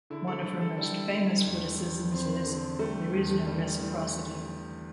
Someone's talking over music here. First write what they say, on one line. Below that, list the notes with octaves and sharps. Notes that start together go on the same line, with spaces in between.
One of her most famous witticisms is: There is no reciprocity.
D3 E4
A4
D3
A4
G3 E4
G3
E2
E2
E2 C4
D3
G3 A3
E2
G3
E3